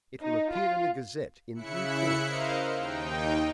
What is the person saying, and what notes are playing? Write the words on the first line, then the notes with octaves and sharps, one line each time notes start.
It will appear in 'The Gazette' in due course.
D#4
F4
C#3 E4 E5 F#6 C#7
A#4 C5 D#5 F5
D#2 D#4 G5